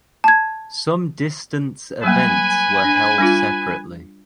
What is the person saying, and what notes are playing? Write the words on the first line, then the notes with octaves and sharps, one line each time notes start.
Some distance events were held separately.
A5 G#6
F#3 G3 A#3 B4 G#5
D4
G3 D4 F4